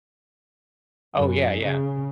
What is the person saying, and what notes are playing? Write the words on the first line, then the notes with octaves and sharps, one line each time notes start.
Oh, yeah, yeah.
F#2
C#3